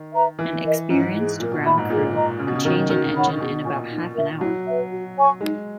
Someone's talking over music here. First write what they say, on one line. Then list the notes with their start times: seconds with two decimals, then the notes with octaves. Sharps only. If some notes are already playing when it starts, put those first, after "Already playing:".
An experienced ground crew could change an engine in about half an hour.
Already playing: D#3
0.13 B4 E5 A#5
0.39 E3 D#4
0.64 A#4 D#5
0.90 G#2 C#4
1.14 E4
1.19 G#4
1.40 A#2 A#4
1.52 B2
1.65 A#2 E5 B5
1.78 G#2
1.90 A#2 G#4
2.15 D#5 A#5
2.39 C#3 D#4
2.47 B2
2.55 C#3
2.65 D#3 F#4 C#5
2.90 D#3 F#4
3.16 C#5 F#5 B5
3.40 B2 G#4
3.65 A#2 C#5 G#5 C#6
3.91 D#4
4.15 A#4 E5
4.41 F#3 E4
4.66 B4 E5
4.92 F#4
5.16 C#5 G#5 C#6
5.41 G#3 D#4